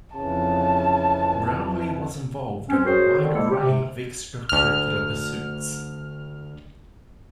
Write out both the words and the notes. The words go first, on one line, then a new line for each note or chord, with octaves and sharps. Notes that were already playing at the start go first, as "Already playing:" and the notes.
Brownlee was involved in a wide array of extracurricular pursuits.
F2 C#3 E3 A5
C4 C#4
C#4 F#4 G#4 A#4 C5
D3 D#3 C4
F3 G3 G#3 A#3 E4 A4
G4
C3
D2 F6